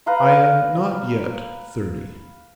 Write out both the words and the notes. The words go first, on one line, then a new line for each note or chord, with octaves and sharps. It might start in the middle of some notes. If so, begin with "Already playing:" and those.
'I am not yet thirty.'
B4 F5 A#5 C6